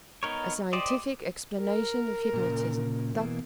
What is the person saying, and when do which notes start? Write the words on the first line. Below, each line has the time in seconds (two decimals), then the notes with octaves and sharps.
A Scientific Explanation of Hypnotism.--Dr.
0.23 B3 D#4 A#4 C#5
0.73 G4 C5 D5 D#5
1.61 A#4
2.33 A#2 C#3
3.15 B2 E3 A#3